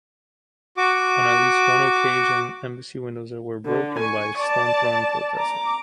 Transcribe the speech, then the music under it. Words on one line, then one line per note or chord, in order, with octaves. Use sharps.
On at least one occasion embassy windows were broken by stone-throwing protesters.
F#4 D6
D3
G#5 C#6
D5 A5
A#5 D6